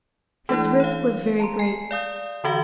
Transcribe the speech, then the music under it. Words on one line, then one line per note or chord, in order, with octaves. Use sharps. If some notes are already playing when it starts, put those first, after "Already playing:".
His risk was very great.
E3 A3 D4 E4
C#5 F5
A5 A#5 C6
G#5 C7
D5 F5 D#6 G6
D3 E3 F#4 F5